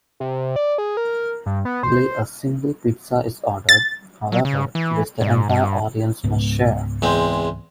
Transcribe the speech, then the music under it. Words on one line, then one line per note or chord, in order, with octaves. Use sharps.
Only a single pizza is ordered, however, which the entire audience must share.
C3
D5
G#4
A#4
G2
B3
C5
A6
F#3
C#3
E3
G#2
G2
C#2 G#2 B3
E2 G#3 C4